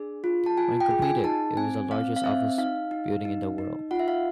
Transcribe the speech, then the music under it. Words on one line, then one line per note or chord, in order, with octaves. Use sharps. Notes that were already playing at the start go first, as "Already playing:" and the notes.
When completed, it was the largest office building in the world.
Already playing: D4 G#4
F4
A5
F4 G#5
G5
G#4
G#5
D#4 A5
C4 G#5
C4 F5
F5
C4 E5
D#4 F5
D#4
D#4
D#4
F4 F#5
E5
F5